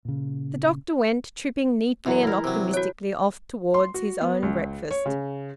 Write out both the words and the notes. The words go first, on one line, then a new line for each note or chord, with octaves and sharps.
The doctor went, tripping neatly and optimistically, off towards his own breakfast.
A#2 C#3
F#2 E3 F#3
E4 A#4
C3 F#3
F#4 C#5
C6
F#4
B3
C#2
C#5
C#3